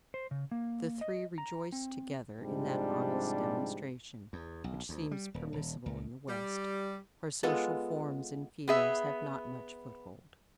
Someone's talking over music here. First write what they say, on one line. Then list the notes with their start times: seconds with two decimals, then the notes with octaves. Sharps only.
The three rejoiced together in that honest demonstration which seems permissible in the West, where social forms and fears have not much foothold.
0.14 C5
0.31 C#3
0.51 A#3
1.01 D#5
1.38 A#5
1.72 C4
2.40 G#2 C3 F3 G3 D4
4.33 E2
4.64 B1
4.89 D2
5.11 G3
5.34 D#1
5.53 D#1
5.86 C#2
6.28 G3
7.43 G#3 B3 F4 A4
8.68 B3 G#4 E5